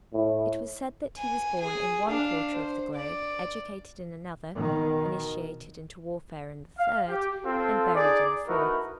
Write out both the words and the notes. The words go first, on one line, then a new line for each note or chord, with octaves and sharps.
It was said that he was born in one quarter of the globe, educated in another, initiated into warfare in the third and buried in the fourth.
A2
G#5
G#4 G#5
D4 F5
C5
D5
B2 D#3
F5
G4
C4 F4 A4
D#4 G#4 D5
A3 D#4 E4 F#4 A#4 B4